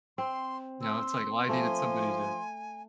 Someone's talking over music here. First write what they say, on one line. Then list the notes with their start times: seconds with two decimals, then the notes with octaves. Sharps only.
you know, it's like, well, I needed somebody to
0.18 C4 C6
0.82 C6 E6
1.49 F3 A3 G#5